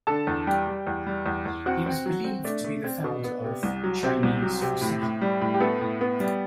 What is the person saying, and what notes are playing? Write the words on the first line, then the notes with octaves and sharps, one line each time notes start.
He was believed to be the founder of "Chinese fuseki".
D3 A4 A5
E2
G3 G4 G5
G3
E2
G3
E2
E2
C4 F#4 F#5
C4
F#3
C4
A3 D4 D5
A3
C4
B2
B3
C3
C2
F#3
C3 C4 C5
C2
F#3
C3
A2
A2
G3
A2
G4
A3 B3 A4
A2
B3
G3